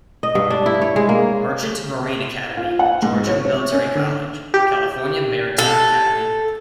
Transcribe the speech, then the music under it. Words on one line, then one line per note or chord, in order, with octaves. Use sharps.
Merchant Marine Academy, Georgia Military College, California Maritime Academy.
D#5
G2
D4
E4
C#5
G#3
A#3
F4
F#5
G#2
C#5
C#5
C#4
D3
G4
A4